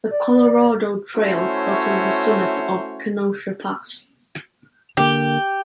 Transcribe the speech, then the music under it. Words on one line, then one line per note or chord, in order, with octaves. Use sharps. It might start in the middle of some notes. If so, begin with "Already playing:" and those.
The Colorado Trail crosses the summit of Kenosha Pass.
D5
A3 C#4 E4 F#4 C5 C#5
D3 A#3 G4